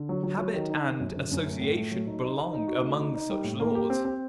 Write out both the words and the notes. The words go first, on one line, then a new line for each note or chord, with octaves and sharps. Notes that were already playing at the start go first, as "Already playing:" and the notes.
Habit and association belong among such laws.
Already playing: D3
F#3
F#3
F#3
D#3
D#4
D#3
F#2
D3
F#2
A3
A2
A3
F#3
D#4
D#4
D#4
D#4
F#4
A3
D#4
D#4
G3
A2
A#3
G4
C4
C4